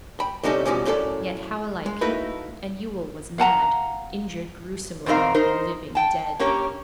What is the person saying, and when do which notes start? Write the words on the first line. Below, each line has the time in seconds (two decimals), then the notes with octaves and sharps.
Yet how alike-- And Ewell was mad, injured gruesomely, living dead.
0.20 G5 B5
0.43 A2 C3 G3 C#4 D#4 A4
0.66 B2 E3 F3 G3 C#4
0.85 F#2 A2 C#4 F4 A4 D5
1.86 G#3
2.01 A3 A#3 D#4 E4 F#4 B4
3.38 F5 F#5 A5 A#5
5.06 E2 B2 C4 D#4 A#4 F5
5.35 D#4 A#4 C5
5.95 G5 A5
6.39 A#3 C#4 G4 A#4 C#5